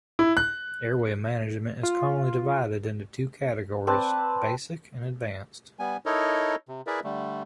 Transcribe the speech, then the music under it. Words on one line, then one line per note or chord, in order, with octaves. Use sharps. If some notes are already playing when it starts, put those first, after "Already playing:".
Airway management is commonly divided into two categories: basic and advanced.
E4
F#6
F4
C4 B4 D5 A5
G3 B3 G#5
D#4 E4 A4 A#4 C#5 D#5
C3
E4 G#4 A#4 B4 D5 E5
D3 G3 A3